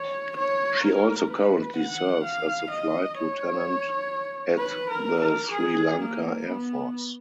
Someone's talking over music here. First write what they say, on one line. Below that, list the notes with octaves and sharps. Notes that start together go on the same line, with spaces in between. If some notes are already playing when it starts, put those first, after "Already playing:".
She also currently serves as the flight lieutenant at the Sri Lanka Air Force.
Already playing: C#5
C#5
A#4
B4
F#5
F5
D#5
C#5
B4
A#4
A#4
G#4
A#3
B3